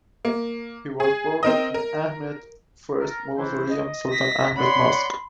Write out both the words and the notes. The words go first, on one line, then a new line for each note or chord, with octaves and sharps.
He was buried in Ahmed I Mausoleum, Sultan Ahmed Mosque.
A#3
G#4
C4 A#4 D#5
A#4
A4 A#4
E3 E4 C5
D#5
A#6 B6
C#5 D5 F#5 B5 C6